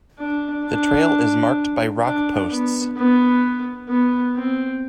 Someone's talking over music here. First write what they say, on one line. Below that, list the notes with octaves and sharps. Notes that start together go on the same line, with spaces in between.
The trail is marked by rock posts.
D4
D4
D4
B3
B3
B3
C4